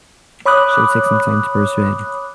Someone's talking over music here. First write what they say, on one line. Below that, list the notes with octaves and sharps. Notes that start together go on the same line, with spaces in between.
She would take some time to persuade.
C#5 B5 D6 D#6 F#6